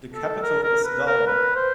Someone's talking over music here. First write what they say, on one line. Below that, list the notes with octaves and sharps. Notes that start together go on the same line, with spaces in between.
The capital is Dowa.
A4
A#4
A#4
B4
A#4
B4
C5